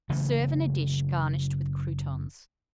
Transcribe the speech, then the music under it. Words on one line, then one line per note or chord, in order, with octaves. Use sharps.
Serve in a dish garnished with croutons.
F#1 C#3 E3 A3